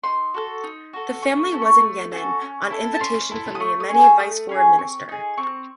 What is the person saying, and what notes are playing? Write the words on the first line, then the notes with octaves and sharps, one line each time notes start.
The family was in Yemen on invitation from the Yemeni vice foreign-minister.
D#4 C6
F#4 A4
D#4
F#4 A4
A3 C#6
C#4 F#4 A4
C#6
A3
C#4 F#4 A4
C#4
E4 A4
A5
C#4 C6
E4 A4
D#6
A3 C#6
D#6
C#4 G#4
E6
A3 D#6
C#4 G#4
C4 C#6
D#4 G#4
C4 C#6